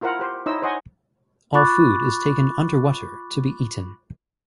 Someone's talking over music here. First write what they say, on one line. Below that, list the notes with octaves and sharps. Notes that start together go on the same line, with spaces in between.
All food is taken underwater to be eaten.
E4 F4 A#4 C5 F#5
G4 C5
D#4 E4 C5 C#5 D#5 E6
C5 C#5 D#5 F#5 G#5
F4 B5 C#6 D6 F#6 A6